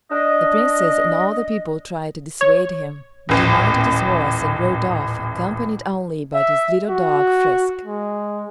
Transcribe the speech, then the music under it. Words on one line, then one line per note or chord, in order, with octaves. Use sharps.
The Princess and all the people tried to dissuade him, but he mounted his horse and rode off, accompanied only by his little dog, Frisk.
D4 D#5
C#5
D#1 A1
E5
F#4
G#3